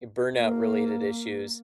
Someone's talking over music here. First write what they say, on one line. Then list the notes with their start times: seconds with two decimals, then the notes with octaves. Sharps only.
burnout related issue,
0.36 A#3